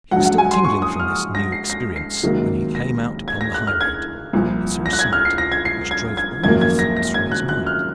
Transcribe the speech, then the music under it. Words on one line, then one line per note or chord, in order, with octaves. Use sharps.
He was still tingling from this new experience when he came out upon the high-road and saw a sight which drove all other thoughts from his mind.
A#1 G#2 F#3 F#5
F#5
G#5
C6
C#6
D#6
F6
A#6
C7
A#6
C7
C#2 C3 D#3 F#3 A#3
A#6
G#6
A#6
F#6
F6
G#6
C2 A#2 F3
A#6
F#6
G#6
F6
C7
A#6
G#6
C7
G#6
G#6
G#1 F#2 F3 A#3 G#6
G#6
A#6
A#6
G#6
F#6
F#6
F6